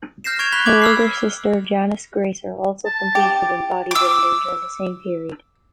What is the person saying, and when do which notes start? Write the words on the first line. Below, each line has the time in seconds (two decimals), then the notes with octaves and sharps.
Her older sister Janice Graser also competed in bodybuilding during the same period.
0.24 F6 G6 A#6 C7 E7
0.39 C#6 G#6 D7 F7
0.52 B5 F#6 B6 F7 G7
0.66 D6 G#6 F#7
0.82 E6 F6 C7
2.86 A5
3.15 G4
3.91 D6 E6